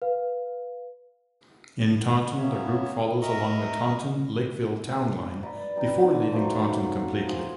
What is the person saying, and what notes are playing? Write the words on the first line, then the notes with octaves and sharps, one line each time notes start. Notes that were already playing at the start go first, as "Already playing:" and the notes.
In Taunton, the route follows along the Taunton-Lakeville town line before leaving Taunton completely.
B4 F5
A#3 B3 C#4 C#5 E5
A#4 D#5 E5 A#5 C#6 D#6
B4 D5 D#5 A#5
G3 D#4
D3 E3
D#3 F3 F#3 A3
B5
F3 G#4